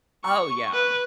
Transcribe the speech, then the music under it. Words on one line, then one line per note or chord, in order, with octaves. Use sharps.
Oh yeah,
C#6
B4